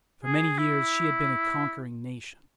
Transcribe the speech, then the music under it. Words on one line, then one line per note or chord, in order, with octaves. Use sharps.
For many years she had been a conquering nation.
G#4
E4